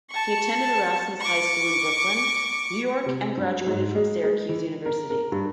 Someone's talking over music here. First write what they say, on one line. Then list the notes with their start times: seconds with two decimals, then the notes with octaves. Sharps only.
He attended Erasmus High School in Brooklyn, New York and graduated from Syracuse University.
0.10 A5 C#6
1.20 C#6 D6
3.06 C3
3.37 G2
3.66 G#2
3.95 G#3
4.24 G#3
4.49 E3
4.86 A#4
5.10 A#4
5.32 G2